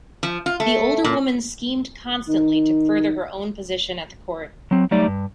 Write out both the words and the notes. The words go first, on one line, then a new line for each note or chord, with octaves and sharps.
The older woman schemed constantly to further her own position at the Court.
F3
F4
A3
A#2
D#3
F#3 C4
F#3 G3 A3 D#4 D5
G2